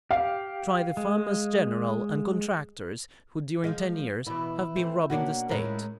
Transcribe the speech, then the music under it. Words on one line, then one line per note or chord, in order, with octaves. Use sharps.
"Try the farmers-general and contractors, who, during ten years, have been robbing the state."
G4 F5
G#3
F3 G#3 F5
B2 E3 E4
A3 C4
B2 A#3 C#4 D4 F#4
A2 G#3 C#4 E4 F4 A#4